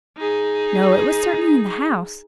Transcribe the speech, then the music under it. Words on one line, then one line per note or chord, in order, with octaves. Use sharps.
No, it was certainly in the house.
D#4 G#4